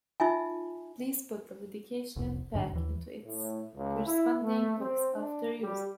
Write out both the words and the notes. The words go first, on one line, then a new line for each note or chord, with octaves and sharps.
Please put the medication back into its corresponding box after use.
D#4 F4 E5 G#5
F1 C2
A1 G#2 D3 D4
D#2 E3
A2
C#2
E4
A3
C4
D4
G3